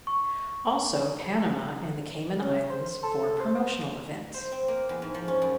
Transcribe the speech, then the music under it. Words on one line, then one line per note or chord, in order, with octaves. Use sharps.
Also Panama and the Cayman Islands for promotional events.
C#6
C#4
C5
A4
C5
C5
C4
A#3
E2
G#2
F3
C#4
F#2